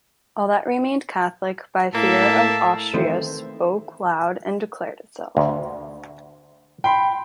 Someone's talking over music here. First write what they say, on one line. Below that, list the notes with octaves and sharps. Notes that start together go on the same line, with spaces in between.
All that remained Catholic by fear of Austria spoke loud and declared itself.
A2 A#3 E5 A5
D#3 E3 A3 C4 C5
D2
G5 B5 C6